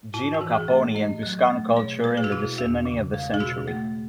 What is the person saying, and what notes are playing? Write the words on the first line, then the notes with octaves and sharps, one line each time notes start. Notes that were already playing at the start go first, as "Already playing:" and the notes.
Gino Capponi and Tuscan culture in the decimony of the century.
G#2 E4
F#4
E3
G#4
A3
A2 D#5
F#3
A3
B2 C#5
G#3 B4
G#4
F#4
B2 E4
E2 F#4
C#3
G#3
G#4
B2 F#4
A3